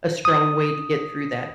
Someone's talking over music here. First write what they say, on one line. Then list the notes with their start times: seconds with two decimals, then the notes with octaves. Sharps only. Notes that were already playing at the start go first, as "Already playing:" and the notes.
a strong way to get through that
0.25 D#6